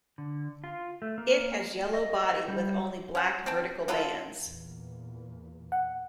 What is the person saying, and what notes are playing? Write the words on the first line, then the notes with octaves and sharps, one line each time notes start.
It has yellow body with only black vertical bands.
D3
F4
A3
A#3
D#5
G3
C#4 F#5
C4 G5 A5
F#3 E4 F4 A4
E2 A#2
F#5